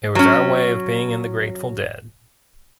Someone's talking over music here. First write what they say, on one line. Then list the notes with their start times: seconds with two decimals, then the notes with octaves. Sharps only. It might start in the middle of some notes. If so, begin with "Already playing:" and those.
It was our way of being in The Grateful Dead.
0.15 F#3 C#4